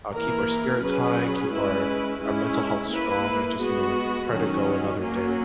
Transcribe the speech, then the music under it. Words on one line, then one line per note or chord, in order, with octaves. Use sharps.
uh, keep our spirits high, keep our our mental health strong, and just, you know, try to go another day.
E3 A#3 E4 A#4
F#3 C#4 G#4 B4
G#3 C#4 E4 B4
G#3 C#4 E4
A#3 E4 B4
G#3 B3 F#4
D#3 F#3 C#4 F#4
F#3 A#3 C#4